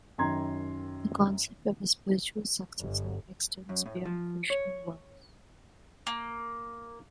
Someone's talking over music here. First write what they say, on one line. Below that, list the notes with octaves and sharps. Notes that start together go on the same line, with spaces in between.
The concept of a "spiritual successor" extends beyond fictional works.
F#2 D#3 A#5 C6 G#6
G1
F#2
A2
F3
C#5
A#3